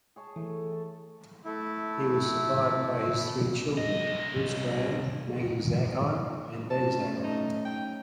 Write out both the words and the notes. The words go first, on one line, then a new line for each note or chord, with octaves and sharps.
He was survived by his three children; Bruce Graham, Maggie Zackheim and Ben Zackheim.
G#4 C#5 A5
E3 A3
A5
A3 E4
C2 D#5
A3 C#4 A5
D#4
G5